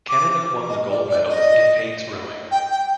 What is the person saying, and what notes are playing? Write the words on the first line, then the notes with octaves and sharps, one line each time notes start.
Canada won the gold medal in eights rowing.
D6
D#5
D5
D5
D#5
G5
G5